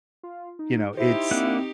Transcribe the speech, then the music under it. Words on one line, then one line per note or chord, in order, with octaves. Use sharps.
you know, it's
F4
D#4
D#4 E4 G4 C5
A#3 C4 D4 F#5